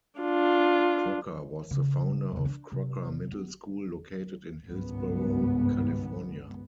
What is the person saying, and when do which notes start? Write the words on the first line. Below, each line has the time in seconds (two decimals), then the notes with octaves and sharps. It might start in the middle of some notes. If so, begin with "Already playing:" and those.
Crocker was the founder of Crocker Middle School located in Hillsborough, California.
0.20 D4 F4
1.71 C#3
2.32 E2 C#3
2.45 D4
2.72 C3
3.32 B3
4.66 G#1 C#2 G2 B3